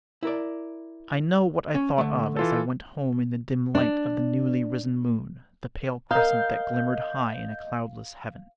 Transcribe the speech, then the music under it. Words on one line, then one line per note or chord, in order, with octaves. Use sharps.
I know what I thought of, as I went home in the dim light of the newly-risen moon, the pale crescent that glimmered high in a cloudless heaven.
E4 A#4 D5
C#4
D3 A3
E3 F4 A4
D4
A#4 D#5 F5 A#5 G6